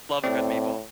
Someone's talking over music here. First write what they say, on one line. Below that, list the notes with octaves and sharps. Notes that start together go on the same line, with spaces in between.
Love a good meatball.
A2 C4 D5